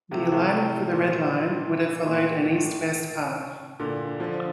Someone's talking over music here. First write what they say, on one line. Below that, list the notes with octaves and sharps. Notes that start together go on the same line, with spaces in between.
The alignment for the Red Line would have followed an east-west path.
A2 C3
A2 C3
A#2
A#2
A2
A2
A#2 D3
D3 F3